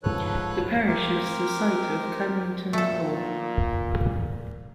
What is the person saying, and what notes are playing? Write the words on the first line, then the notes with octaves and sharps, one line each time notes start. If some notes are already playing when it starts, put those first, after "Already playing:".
The parish is the site of Cuddington Hall.
G#2 F3 A4 B4 C#5 F#6
C4 G4 A#4
A#2 A3 A4